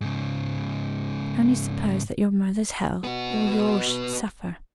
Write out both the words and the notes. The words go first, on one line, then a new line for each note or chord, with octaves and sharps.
Only suppose that your mother's health or yours should suffer.
G#2 C#3
B3 F#4